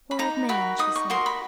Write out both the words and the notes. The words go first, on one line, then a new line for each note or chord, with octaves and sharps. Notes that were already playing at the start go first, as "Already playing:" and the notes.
"Poor old man!" she said.
B5
D#4 A#5
F#4 A#4 B5
D#4 D#6
C#6
F#4 A#4 C6
B5